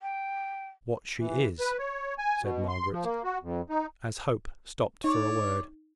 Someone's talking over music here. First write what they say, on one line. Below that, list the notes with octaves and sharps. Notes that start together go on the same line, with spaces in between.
"What she is," said Margaret, as Hope stopped for a word.
G5
E3
B4
C#5
G#5
B2
C6
F3
A#3
F#4
F2
D#4
D#4 C#5 D5